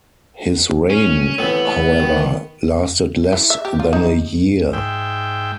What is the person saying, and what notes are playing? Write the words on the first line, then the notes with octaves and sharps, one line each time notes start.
His reign, however, lasted less than a year.
C#4
A2 C3 E3 B3
D#3
E4
E5
G4
F4
D#4
G#2 E5 G5